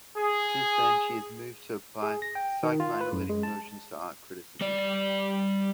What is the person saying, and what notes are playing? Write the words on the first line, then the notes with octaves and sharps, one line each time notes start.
Since then she has moved to apply psychoanalytic notions to art criticism.
G#4
G#4
A#6
G5
D#3
F4
B4
F#2
G#3
A5
G3 D5